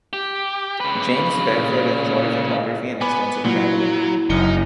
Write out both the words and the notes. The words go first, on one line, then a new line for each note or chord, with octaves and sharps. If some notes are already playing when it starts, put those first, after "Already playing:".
James Bedford enjoyed photography and extensive traveling.
G4
C#3 B4
A#2
B3 G#5 B5 D6
A#2 F#3 E4 F4 F#5
F#1 F#2 D#4 C#7 G7